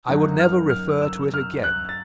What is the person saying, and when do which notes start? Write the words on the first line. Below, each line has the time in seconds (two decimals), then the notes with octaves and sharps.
I will never refer to it again.
0.08 F#2 D3 F#3 A#3 D#4
0.40 F6
0.70 F6
1.02 E6
1.34 F6
1.64 F#6
1.89 A6